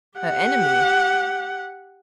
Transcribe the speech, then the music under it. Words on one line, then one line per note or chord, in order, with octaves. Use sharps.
"Her enemy?"
G4 F#5